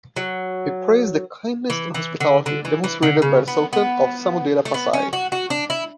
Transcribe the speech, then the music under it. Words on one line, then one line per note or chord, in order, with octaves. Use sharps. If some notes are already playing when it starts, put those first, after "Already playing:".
He praised the kindness and hospitality demonstrated by the sultan of Samudera Pasai.
F#3
E3
E3
D3
D3
E3
E3
D3
C#3
B3
B3
A3
B3
C#4
F#4
F#4
D4
E4